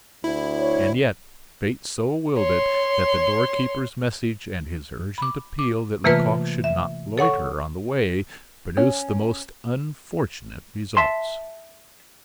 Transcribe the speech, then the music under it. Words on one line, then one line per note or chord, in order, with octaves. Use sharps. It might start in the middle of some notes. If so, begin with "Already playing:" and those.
And yet, fate so willed it that the doorkeeper's message and his urgent appeal that Lecoq should not loiter on the way, produced the most unfortunate results.
D2 E4
C#5
C#5 C6
B5 D6
D6
C3 E3 A3 A#3 F4 B4
E5
A4 C#5 F#5 C#6
C#4
E5 A5 C6